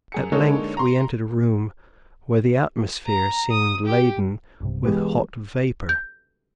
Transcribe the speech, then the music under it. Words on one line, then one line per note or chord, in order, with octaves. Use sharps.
At length we entered a room where the atmosphere seemed laden with hot vapor.
F#2 G#4 C#7
D3 G#3 A#3 D#4 A4 C#5
A#5 C6
A#5
D#6
G4
B1 G2 C3
E3 G#3 B3 G4 G#4 B4
G6